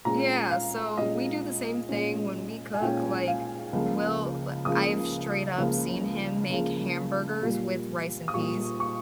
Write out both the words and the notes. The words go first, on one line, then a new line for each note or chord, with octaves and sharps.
Yeah, so we do the same thing when we cook, like, we'll l I've straight up seen him make hamburgers with rice and peas.
A#2 G#3 C#4 A#5
F5
A#2 G#3 C#4 D#5
A#2 G#3 C#4
G#5
A#2 G#3 C#4 G5
F5
C#2 C#3 F3 A#3
C#2 C#3 F3 A#3 D#6
C#2 C#3 F3 A#3
C#2 C#3 F3 A#3
A#2 G3 A#3
D#6
A#2 G3 A#3 C#6
C#6